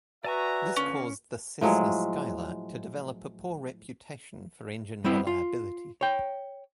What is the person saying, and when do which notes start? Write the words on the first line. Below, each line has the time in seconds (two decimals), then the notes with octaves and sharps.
This caused the Cessna Skylark to develop a poor reputation for engine reliability.
0.24 F#4 B4 D5 E5 G#5 A#5 C#6
0.76 D3 A#3 C#4 F4
1.61 A2 F3 F#3 G#3
5.04 G3 B3 C4 E4
5.27 F4
6.01 C#5 G5